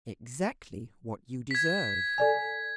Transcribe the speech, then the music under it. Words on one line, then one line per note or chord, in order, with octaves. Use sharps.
Exactly what you deserve.
G#6 B6
A4 D5 G#5